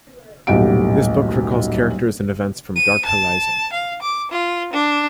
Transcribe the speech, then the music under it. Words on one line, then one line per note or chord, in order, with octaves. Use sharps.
This book recalls characters and events from "Dark Horizon".
D#1 B1 A2 G4 F#5 D7
D#7
A5
F5
D6
F4
D4